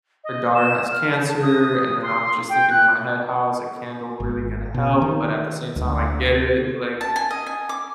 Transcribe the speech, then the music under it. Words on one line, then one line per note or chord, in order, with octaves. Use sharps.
her daughter has cancer, and then I'm just thinking in my head, "How is a candle really gonna help?" But, at the same time, I get it. Like,
D#5
E7
F6
A5
D#6
D#6
C6
G5
F#6
G#1
B2
D#3
D2
A5
G#5
D#5
G#5
D6